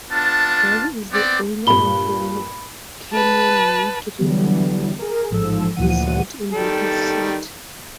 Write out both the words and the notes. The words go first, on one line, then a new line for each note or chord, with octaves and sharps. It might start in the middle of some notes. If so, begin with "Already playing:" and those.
Derby is the owner of the Canyon Lake Resort in Rapid City.
B3 D4 F4 A5
B3 C4 D5
G2 A#2 B5 G7
B4 A5
D3 E3 F#3 G3 B3
G#4 A#4
A1 G#2 F3 A4 E6
D2 A#2 E3 F3 F#5 D#7
D#3 G3 A4